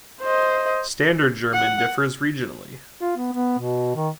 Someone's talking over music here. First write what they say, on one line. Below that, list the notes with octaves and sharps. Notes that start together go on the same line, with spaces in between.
Standard German differs regionally.
C5 D#5
F#5
F4
B3
B3
B2
D#3